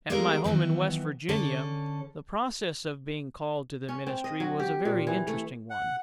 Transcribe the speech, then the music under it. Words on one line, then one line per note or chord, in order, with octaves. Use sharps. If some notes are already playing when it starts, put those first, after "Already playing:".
At my home in West Virginia the process of being called to the ministry was a very interesting one.
G3 G#3 A#3 B3 A4 A#4
D#3 E3 F#3 B3
D3 C#4 A4
C#4
C4
D#5
F#3
G4
A#2
E3
A3
F#5